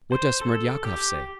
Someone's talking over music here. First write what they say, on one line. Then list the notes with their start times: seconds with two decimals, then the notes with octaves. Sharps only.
What does Smerdyakov say?
0.12 C5
0.41 A4
0.85 G4